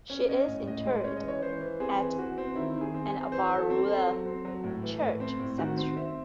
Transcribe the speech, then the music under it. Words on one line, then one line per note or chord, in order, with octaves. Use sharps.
She is interred at an Avarua church cemetery.
C#4
C#4 D#5
A2
A2 D#5
G#3
C#4 C#5
D#5
E3
C#5
E3 C5
E3
C4 G#4
E3
E3 F#4
C4
D#3 E4
D#3
G#4
C4
G#4
C4
E3 C5
E3
A4
C4
A4
C4
F#3
C4
F#3
A2
E3
A2
C4
A2
D#3 F#4
C4
C4 E5